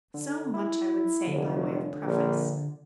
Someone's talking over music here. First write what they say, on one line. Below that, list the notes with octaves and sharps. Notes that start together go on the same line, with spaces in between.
So much I would say by way of preface.
D3
E4
F1 D3
A#1